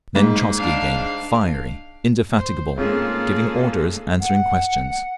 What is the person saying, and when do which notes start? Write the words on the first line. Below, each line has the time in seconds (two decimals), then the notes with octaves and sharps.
Then Trotzky again, fiery, indefatigable, giving orders, answering questions.
0.15 G#2
0.58 D4 F5
2.36 C5
2.78 G#2 A#3 C4 C#4 F4 G#4 A4
4.20 F#5